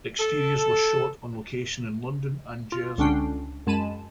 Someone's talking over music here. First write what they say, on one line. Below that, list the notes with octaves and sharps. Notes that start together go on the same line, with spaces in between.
Exteriors were shot on location in London and Jersey.
A4
F4
C#2 D3 C#4 D4 G5 C7
F#2 G#3 A5 B5 D#7 E7